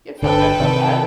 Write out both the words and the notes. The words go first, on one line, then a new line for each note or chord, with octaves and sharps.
You feel good about that?
G1 D3 A4 B4 G5
C3 D#3